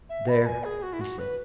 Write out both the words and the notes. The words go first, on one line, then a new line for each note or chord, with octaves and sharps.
"There!" he said.
E5
B5
G#5
G#4
F#4
E4
F#4
B4